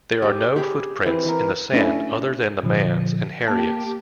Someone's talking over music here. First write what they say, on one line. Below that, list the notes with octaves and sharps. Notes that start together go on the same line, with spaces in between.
There are no footprints in the sand other than the man's and Harriet's.
G4
G4 G#4 B5
E3 C4
E3 A#4
A3 C#4 D4 E4
A#2 D3 F3
A#3 G4 A5